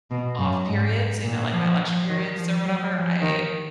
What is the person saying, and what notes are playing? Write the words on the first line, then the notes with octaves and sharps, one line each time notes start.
off periods, you know, like my election periods or whatever. I
B2
F#2
G#2
A#2
F3
F3
D#3
F3
F#3
F3
D#3